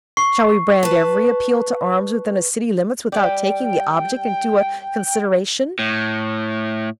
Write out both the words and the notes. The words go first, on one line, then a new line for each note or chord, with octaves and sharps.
Shall we brand every appeal to arms within a city's limits without taking the object into a consideration?
C#6 C7
B4 A5
G3 D5 G5
A2